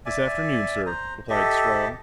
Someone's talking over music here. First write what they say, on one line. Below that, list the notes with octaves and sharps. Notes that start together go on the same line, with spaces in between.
"This afternoon, sir," replied Strong.
D5 E5 G#5
C5 A#5
G4 A4 D#5 E5